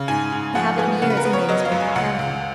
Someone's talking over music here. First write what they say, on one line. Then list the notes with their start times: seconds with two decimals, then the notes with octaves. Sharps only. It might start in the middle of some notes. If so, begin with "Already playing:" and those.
The habit of years had made his work mechanical.
Already playing: C#3
0.08 G#2 G#5
0.32 G#2
0.55 F3 F#5
0.78 B3 G#5
1.02 C#3 F#5
1.10 B4
1.17 A#4
1.25 B3
1.33 C#5
1.49 F#3 D#5
1.65 F5
1.72 F#2
1.80 G#5
1.96 C#2 F#5
2.19 C#2